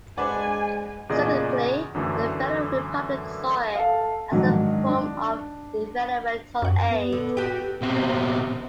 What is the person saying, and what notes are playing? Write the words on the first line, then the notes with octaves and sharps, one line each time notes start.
Secondly, the Federal Republic saw it as a form of developmental aid.
G#3 D4 B4 C5 D5 F#5 G#5
E2 A#2 C#3 G#4 D5 D#5
F#2 D3 E3 F#3 A3
A4 F5
G#2 D#3 F#3 D4
D4
F#2 F#5
B3
D3
F#4 G4
B2 C4